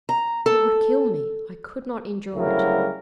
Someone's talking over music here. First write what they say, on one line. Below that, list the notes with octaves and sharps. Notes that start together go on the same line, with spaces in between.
It would kill me; I could not endure it.
A#5
A4
D2 C#3 F#3 G3 E4 A#4